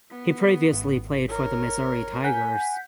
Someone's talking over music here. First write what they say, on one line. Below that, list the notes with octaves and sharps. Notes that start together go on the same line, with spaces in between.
He previously played for the Missouri Tigers.
B3
G#1
A#4 C#5
F#5 G#5 G6 B6